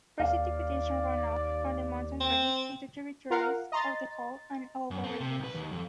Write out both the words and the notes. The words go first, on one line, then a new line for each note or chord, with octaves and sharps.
Precipitation runoff from the mountain drains into tributaries of the Hoh and Elwha Rivers.
D#2 D5 F5
C4
F4 A#4 F5 F#5
D#5 A#5 C6 A6
F#2
C4 A4
C3
B1 B4
D#2
F2